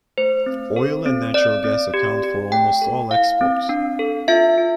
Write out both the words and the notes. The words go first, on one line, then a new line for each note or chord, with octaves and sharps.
Oil and natural gas account for almost all exports.
A3 C5
C4
A4
C4
C4 D5
C4
G4
G4
A3 G5
A4
E4 F5
C4
D4
A4
F4 E5
F4